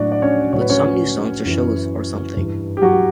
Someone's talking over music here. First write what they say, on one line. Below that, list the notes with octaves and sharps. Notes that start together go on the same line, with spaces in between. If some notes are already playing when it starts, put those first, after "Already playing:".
But, some new songs or shows or something.
Already playing: A2 F#3 D4 F#4 D5
D5
C#4 C#5
A2 F#3 C#5
B4
C#4 C#5
F#2 E3
G2 E3
G4
F#3 F#4